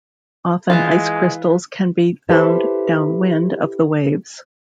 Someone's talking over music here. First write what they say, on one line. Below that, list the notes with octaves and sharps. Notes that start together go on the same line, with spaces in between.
Often, ice crystals can be found downwind of the waves.
E3 F3 G#3 F4
E4 G4 A4 B4 C5